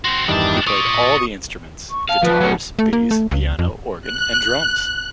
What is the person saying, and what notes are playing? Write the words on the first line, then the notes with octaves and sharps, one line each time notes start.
He played all the instruments: guitars, bass, piano, organ and drums.
C4 F#4 C6
E2 G2 D#3 D4 A5
F4 D5 C#6 D#6
C#6
F5 A5
F3 B4
F#3 A3
A3
A#3
A3
C#2
F2
F#6